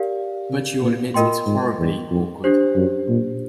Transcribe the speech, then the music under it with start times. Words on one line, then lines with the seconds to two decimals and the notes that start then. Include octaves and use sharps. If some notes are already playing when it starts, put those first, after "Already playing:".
But you’ll admit it’s horribly awkward.
Already playing: G4 A#4 D5 F5
0.50 C3
0.82 A#2
1.14 A2 F4 A#4 D#5 G5 C6
1.46 G#2
1.79 E2
2.11 F2
2.44 D4 G4 C5
2.76 F#2
3.09 A#2